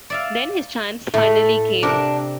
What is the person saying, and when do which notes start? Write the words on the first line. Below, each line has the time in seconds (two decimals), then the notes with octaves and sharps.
Then his chance finally came.
0.10 D5 E5 F5
1.14 A2 A3
1.83 C3 D4 G4 A#4